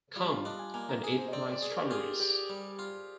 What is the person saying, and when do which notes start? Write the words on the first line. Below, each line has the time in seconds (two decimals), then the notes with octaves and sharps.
Come, and eat my strawberries.
0.16 G3 F4
0.30 F4
0.45 D4 D#5
0.59 G#5
0.74 A#3 G#5
0.89 A#5
1.03 G#4 G#5
1.18 C5
1.28 D#5
1.33 C4 D5
1.52 D5
1.62 G#4
1.71 A#4
1.86 G4
1.91 F4 G#4
2.20 G4 D5
2.50 G3
2.79 F4